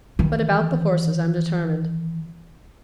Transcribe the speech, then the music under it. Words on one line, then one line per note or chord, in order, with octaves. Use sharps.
But about the horses I'm determined.
D#3 E3